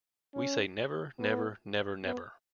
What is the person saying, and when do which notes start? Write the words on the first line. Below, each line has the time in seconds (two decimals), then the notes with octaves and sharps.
We say never, never, never, never!
0.34 C#4
1.19 B3
2.04 B3